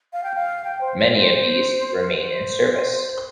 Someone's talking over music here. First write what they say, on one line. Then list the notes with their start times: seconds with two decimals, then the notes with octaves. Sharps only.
Many of these remain in service.
0.13 F5
0.23 G5
0.36 F5
0.64 G5
0.81 C5
0.98 C5
1.16 C5
2.19 C5